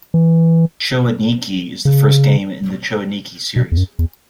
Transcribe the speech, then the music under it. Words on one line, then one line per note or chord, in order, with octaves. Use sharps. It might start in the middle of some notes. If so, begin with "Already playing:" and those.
"Cho Aniki" is the first game in the "Cho Aniki" series.
E3
C#3
B2
E2
F#2
E2